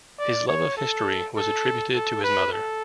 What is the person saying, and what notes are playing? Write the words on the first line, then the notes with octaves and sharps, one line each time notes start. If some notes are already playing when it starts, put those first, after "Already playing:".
His love of history was attributed to his mother.
D5
C#5
A4
A4
A4
B4
A4